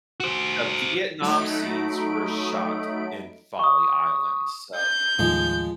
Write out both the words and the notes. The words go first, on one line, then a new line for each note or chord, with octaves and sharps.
The Vietnam scenes were shot in Folly Island, so
F#4 C5
F#3 A3 D#4 B5 D7
C#6 D#6
G6
D#2 A2 F3 G#3